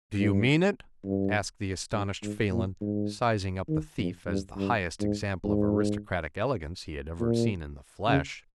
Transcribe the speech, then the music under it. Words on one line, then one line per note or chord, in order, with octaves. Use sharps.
"Do you mean it?" asked the astonished Phelan, sizing up the thief as the highest example of aristocratic elegance he had ever seen in the flesh.
G2
G2
G2
G#2
A#2
G#2
D#3
F2
G2
G2
G#2
G#2
A#2
C#3